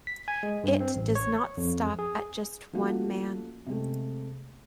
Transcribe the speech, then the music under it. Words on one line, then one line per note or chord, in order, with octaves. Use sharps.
It does not stop at just one man.
B6
G#5
G#3
G2
C4
A1
C#5
F2
G#4
F3 A3 A#3 C#4 F#4 G4
C3 G#3 A3